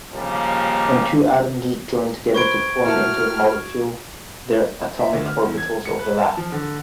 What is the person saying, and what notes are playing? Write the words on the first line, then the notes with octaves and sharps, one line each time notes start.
When two atoms join together to form into a molecule, their atomic orbitals overlap.
D#2 C#3 F3 G3 A#3
B4 C5 C6 C#6 G#6 D7
E4 F#4 A#4 A5 F6
E5
D2
F6
E2
G#6
C#7
B4
A5
F3
D3